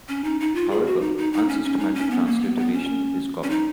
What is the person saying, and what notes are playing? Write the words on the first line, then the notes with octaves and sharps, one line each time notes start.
However, unsystematic transliteration is common.
C#4
D#4
D#4
F4
G#4
F#4
D#4
D#4
D#4
C#4
C#4
D#4
C#4
B3
A#3
B3
B3
C#4
C#4
D#4